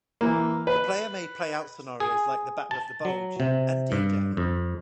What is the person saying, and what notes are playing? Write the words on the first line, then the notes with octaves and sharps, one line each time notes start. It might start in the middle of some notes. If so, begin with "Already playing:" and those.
The player may play out scenarios like the Battle of the Bulge and D-Day.
E3 A#3
B4
G#4
A5
F#3
C3
G2
F2